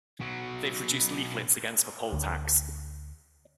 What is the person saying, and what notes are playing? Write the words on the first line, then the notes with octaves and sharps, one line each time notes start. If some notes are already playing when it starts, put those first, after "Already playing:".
They produced leaflets against the poll tax.
B2 F#3
D2